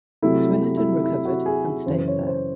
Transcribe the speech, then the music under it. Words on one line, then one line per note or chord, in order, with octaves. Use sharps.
Swinnerton recovered, and stayed there.
C3 F#3 A3 E4
E4
E4
E4
F#4
G#4
G#4
F#2 C#3 E3 C5
C#5
C5